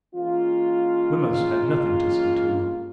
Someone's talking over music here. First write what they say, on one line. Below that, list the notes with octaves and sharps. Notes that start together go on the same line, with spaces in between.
Wemyss had nothing to see to.
E3 G#3 A#3 C#4 F4